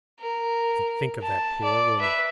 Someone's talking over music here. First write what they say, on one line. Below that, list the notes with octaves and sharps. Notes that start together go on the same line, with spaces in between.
And think of that poor woman!
A#4
A5
D5
B4 E5